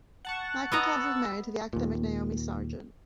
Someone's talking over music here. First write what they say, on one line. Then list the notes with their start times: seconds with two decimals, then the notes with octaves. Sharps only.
McIntosh was married to the academic Naomi Sargant.
0.25 F#5 A5 C#6
0.72 B3 D#5 A#5 E6
1.73 D#2 A#2